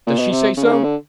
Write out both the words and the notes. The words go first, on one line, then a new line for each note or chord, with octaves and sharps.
'Does she say so?
A#2
B2
C3
C#3
D3
C#3
D3